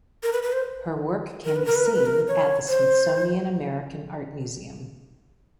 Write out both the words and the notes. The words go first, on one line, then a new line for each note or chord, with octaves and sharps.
Her work can be seen at the Smithsonian American Art Museum.
A#4
B4
B4
C5
A#4
B4
A#4
B4
A#4
B4
A#4
C#5
C5